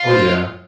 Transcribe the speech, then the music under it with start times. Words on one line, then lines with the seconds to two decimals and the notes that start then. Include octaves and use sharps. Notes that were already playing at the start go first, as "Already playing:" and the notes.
Oh, yeah.
Already playing: F4
0.09 C5